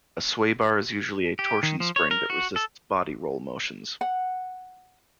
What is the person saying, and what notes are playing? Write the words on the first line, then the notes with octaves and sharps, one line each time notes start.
A sway bar is usually a torsion spring that resists body roll motions.
G4
D#3
F3
C#5
A#4
F#4
A4
F#5